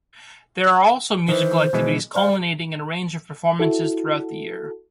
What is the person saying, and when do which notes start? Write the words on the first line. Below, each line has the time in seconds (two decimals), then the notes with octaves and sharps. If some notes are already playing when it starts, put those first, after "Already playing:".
There are also musical activities culminating in a range of performances throughout the year.
1.28 D#3 E3 C5
1.73 B2 E3 G#3
2.15 C5 D5 F5
3.59 E4 F#4 A4